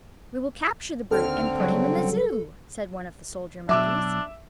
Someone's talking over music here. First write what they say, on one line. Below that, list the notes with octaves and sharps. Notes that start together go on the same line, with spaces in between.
"We will capture the brute and put him in the Zoo," said one of the soldier-monkeys.
D#2 D3 C4 A4 F6
C#3 F#3 G3
B2 F#3 D4 E5 D6 E6